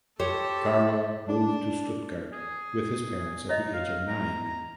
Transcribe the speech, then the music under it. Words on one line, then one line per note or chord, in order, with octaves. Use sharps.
Karl moved to Stuttgart with his parents at the age of nine.
G4 A4 C5 C#5
D4
G#4
C#5 D#5 A#5
F5
A#5